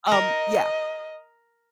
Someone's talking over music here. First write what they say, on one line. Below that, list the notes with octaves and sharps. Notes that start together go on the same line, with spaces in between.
um Yeah,
A#4 D#5